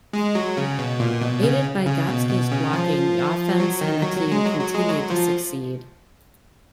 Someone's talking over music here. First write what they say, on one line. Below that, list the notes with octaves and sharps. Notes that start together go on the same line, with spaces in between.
Aided by Gatski's blocking, the offense and the team continued to succeed.
G#3
F#3
C#3
B2
A#2
B2
C#3
C#3
B2
B2
C#3
F3
F#3
D#3
F#3
F#3
G#3
F#3
F#3
G#3
F#3
F3